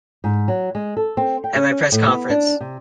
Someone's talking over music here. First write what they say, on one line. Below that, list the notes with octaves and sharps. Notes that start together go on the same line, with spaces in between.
At my press conference.
G#2
F#3
G#3
A4
C4
G5
C#4
A2
B3
D4
C3